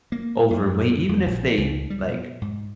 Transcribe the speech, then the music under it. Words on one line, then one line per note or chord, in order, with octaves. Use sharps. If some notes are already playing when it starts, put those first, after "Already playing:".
overweight even if they, like,
A#3
F#2
F2
A#1
C#2
G3
B2
G#2